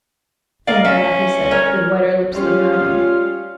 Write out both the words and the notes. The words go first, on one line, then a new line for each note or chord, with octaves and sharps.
"Thank God," he said, with whiter lips than her own.
A#4 D5 D#5 F5
C#4 E5
A#4 C#5
G3 C#4 F4 G#4 F5